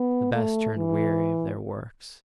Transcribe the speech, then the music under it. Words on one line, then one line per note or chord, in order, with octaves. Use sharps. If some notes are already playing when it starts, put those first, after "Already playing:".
The best turned weary of their works.
Already playing: B3
A3
E3